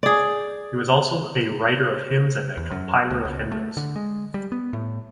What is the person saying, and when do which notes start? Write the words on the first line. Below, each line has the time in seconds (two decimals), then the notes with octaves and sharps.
He was also a writer of hymns and a compiler of hymnals.
0.03 G#4 D5
2.57 E2
2.71 F#2
3.10 D2
3.25 C#2
3.52 A3
3.77 D3
3.96 G#3
4.34 G3
4.52 B3
4.73 A2